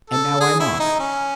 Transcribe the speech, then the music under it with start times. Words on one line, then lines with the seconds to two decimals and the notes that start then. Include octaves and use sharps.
And now, I'm off.
0.10 A4
0.41 G#4
0.60 E4
0.80 D#4
1.00 C#4